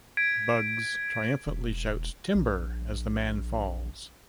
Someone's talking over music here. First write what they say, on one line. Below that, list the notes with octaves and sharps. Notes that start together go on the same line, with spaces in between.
Bugs triumphantly shouts "timber" as the man falls.
G#6 B6 D7
E1
A#1